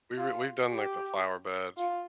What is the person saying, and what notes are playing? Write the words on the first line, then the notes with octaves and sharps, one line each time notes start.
we were we've done, like, the flower bed
F4
G4
F4